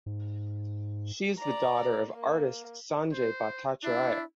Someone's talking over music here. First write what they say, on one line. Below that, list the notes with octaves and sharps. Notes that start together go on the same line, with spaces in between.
She is the daughter of artist Sanjay Bhattacharya.
G#2
D5 A#5
A#3
C5
D4 E4